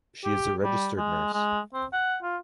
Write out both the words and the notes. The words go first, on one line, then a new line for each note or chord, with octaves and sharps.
She is a registered nurse.
G4
G3
G#3
G#3
C4
F#5
F4